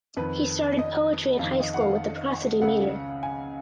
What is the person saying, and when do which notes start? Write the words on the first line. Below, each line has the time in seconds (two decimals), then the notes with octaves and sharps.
He started poetry in high school with the prosody meter.
0.17 F2 D#3 B4
0.79 D#5
1.39 F2 D#3 F5
1.60 D#5
1.74 F#5
1.80 F5
2.62 C#2 C#3 F#5
3.23 G#5